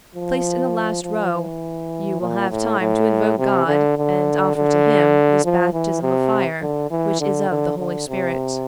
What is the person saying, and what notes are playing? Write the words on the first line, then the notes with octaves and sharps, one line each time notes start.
Placed in the last row, you will have time to invoke God and offer to Him this baptism of fire, which is of the Holy Spirit.
F3
F3
E3
A#2
A2
A2
C3
D3
D3
D3
F3
E3
C3
D3
E3
D3
D3
D3
C3